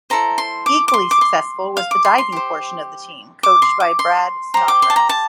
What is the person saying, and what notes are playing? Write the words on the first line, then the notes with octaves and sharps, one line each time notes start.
Equally successful was the diving portion of the team coached by Brad Snodgrass.
E4 A4 C5 A#5
C6
D6
D6
C6
D6
C6
F5
D6
C6
C6
G4 C5
D6
C6
D6
C6
G4 C5 A#5
D6
C6
A5
A#5
A5